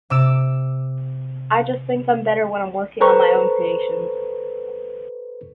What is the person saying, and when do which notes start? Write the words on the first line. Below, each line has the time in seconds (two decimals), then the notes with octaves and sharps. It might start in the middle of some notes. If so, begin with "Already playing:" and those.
I just think I'm better when I'm working on my own creations.
0.10 C3 D6 E6
3.01 A4 B4 C5 A#5 C#6